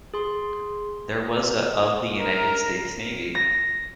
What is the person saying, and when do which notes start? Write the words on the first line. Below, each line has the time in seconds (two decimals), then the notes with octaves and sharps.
The was a of the United States Navy.
0.14 G#4 C6
2.14 A#4
3.35 A#6